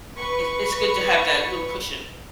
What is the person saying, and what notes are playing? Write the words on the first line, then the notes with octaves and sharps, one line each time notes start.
It's it's good to have that little cushion.
B4 C#6